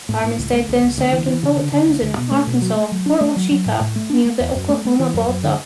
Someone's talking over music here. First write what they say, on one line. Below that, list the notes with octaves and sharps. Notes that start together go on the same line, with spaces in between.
Armistead then served in Fort Towson, Arkansas, Fort Washita near the Oklahoma border.
A2
A2
C#2
A3
C#2
C#2
D2
E3
E3
C#3
D3
D3
D2
D2
B2
A3
B2
F#3
A3
F#3
D4
A3
F#3
F#3
A2
A2
A3
D4
A3
E2
F#2
A3
A3
E3
F#2
F#2
D3